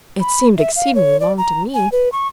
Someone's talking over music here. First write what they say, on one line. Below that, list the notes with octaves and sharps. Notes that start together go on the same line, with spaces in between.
'It seemed exceedingly long to me.
B5
E5
F5
C#5
D5
A#5
G#5
B4
C#6